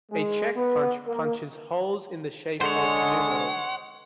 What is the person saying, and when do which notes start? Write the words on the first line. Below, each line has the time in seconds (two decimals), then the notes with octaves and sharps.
A check punch punches holes in the shapes of numerals.
0.12 G#3
0.56 B3
1.06 A#3
2.61 D3 G#3 C5 C#5 F#5